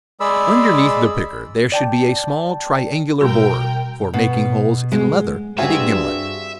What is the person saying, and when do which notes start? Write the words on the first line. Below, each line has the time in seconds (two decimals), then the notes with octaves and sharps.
Underneath the picker, there should be a small triangular borer, for making holes in leather, and a gimlet.
0.20 G#3 G#4 D5 B5 E6
1.72 D5 G5 A5
3.21 B2 G3 F#4 A#4 G5
4.14 B2
4.92 G#3
5.58 G2 C4 F4 F#4 G#4 E5